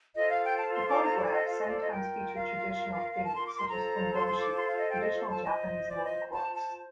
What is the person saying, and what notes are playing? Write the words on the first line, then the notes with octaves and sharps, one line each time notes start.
The photographs sometimes feature traditional themes, such as "fundoshi", traditional Japanese loincloths.
F4 A4 C5 D#5
F5
G5
A5
C6
D6
A#5
D5
D#5
F5
D#5
D5
D#5
F4 A#4 G5
F5
A5
C6
D6
C6
F4 A4 C5 A#5
C6
C6
D6
C6
F5
D#5
G5
D#5
A5
F4 C5 D#5
D5
D#5
A5
A5